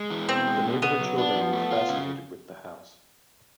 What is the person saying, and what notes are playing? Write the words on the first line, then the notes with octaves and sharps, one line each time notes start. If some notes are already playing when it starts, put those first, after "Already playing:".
The neighborhood children were fascinated with the house.
Already playing: G#3
E3
B2 C4
G#3
B2
B2 B3
F#3
D4
F3
A3
F4
C#3